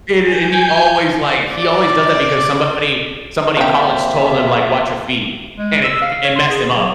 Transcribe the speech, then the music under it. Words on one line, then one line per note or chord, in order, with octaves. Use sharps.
and and he always, like he always does that because somebody somebody in college told him, like, "Watch your feet," and it f it messed him up.
G#5 G6
D5
F3 A#3 C4 D4 F4 G4 E5
G#3
E6
F5
C#5
C6
G#4
F#3